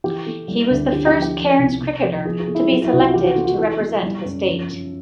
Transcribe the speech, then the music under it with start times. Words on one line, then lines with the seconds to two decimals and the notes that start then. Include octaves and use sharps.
He was the first Cairns cricketer to be selected to represent the State.
0.04 E3 G4
0.26 A3
0.48 G3
0.70 D2
0.92 D3 G4
1.07 G4
1.14 F3
1.22 G4
1.37 F3
1.59 C2
1.81 C3
2.03 F3
2.25 F3 G#4
2.40 G#4
2.48 A3
2.55 E4
2.70 F#3 F4
2.84 E4
2.92 C2 F#4
2.99 F4
3.14 E3 G4
3.24 F#4
3.35 A3 F4
3.45 F#4
3.58 E3 A4
3.80 A3
4.02 G3
4.25 F#2
4.47 F3
4.70 F#2